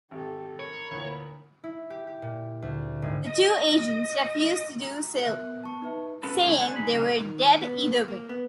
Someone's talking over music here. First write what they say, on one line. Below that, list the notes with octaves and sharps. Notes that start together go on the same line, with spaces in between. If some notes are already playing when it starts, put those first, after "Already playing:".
The two agents refused to do so, saying they were dead either way.
G#1 G4 A4
A#4 C#5 B5
D2 A#2 E3
E4
G4
G4
A#2
D2
G#1
D#5
A#5
B3 A#4 E5 F#6
A5 C#6
D#4 B4 E5
B3 C#4 F4 A4 B4
F#2 A#2 C#3 G#3 A3 E4
B3 D4 C5 F#5 G#5
E2 D3 D#4 G#4 B5
C#3 G3 D#4 F#4 G#4
D#3
B3
A#3
B3